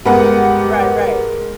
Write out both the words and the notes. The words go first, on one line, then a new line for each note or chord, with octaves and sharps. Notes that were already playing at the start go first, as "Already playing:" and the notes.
Right, right.
G2 G#3 B3 G4 A#4 B4 F#5